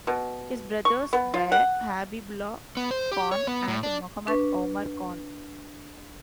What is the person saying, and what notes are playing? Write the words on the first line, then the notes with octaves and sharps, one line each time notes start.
His brothers were Habibullah Khan and Mohammed Omar Khan.
B2
C#6
B3
F4
F#5
B3
C5
G4
C#5
B3
A2
D4
D4 B4 C#6